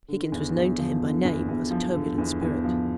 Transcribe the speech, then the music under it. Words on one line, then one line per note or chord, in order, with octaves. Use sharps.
Higgins was known to him by name as a turbulent spirit.
D3
E2
E2
F3
D3
E2
E2
F3
D3
E2
E2
F3